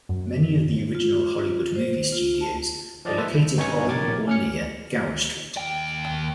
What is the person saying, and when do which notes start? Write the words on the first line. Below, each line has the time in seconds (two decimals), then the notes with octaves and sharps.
Many of the original Hollywood movie studios were located on or near Gower Street.
0.09 F#2
0.95 F4
1.32 F4
1.75 C5
2.12 F4
2.41 A5
3.05 F3 D5 D#5
3.18 A4 B4 C5 E5
3.32 C2
3.57 G2 D#4 C#5 G#5 C#7
3.87 A#1 A2 A#4 D6 G#6 A6
4.28 C#4 F6 C#7
5.57 D#2 G5